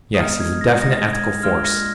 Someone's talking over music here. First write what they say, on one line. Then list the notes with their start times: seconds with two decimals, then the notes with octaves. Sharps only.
"Yes; he's a definite ethical force."
0.15 D#6
0.20 B2 G#3 D#4 F6
0.40 G#6
0.61 A#6
0.82 D3 G#3 D#4 A#6
1.13 G#6
1.43 A#2 G#3 D4 F4 F6
1.65 A#6